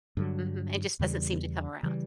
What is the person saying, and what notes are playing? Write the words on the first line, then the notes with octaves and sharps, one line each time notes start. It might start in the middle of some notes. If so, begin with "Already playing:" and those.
Mhm, it just doesn't seem to come around.
G2 D3 F#3
E2 C#3 E3 G3
C#3 E3 G3